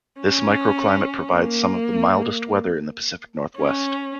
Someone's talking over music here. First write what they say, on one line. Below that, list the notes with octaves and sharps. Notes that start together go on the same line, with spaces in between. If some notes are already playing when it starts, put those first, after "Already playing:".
This micro-climate provides some of the mildest weather in the Pacific Northwest.
C#4
A#3
C#4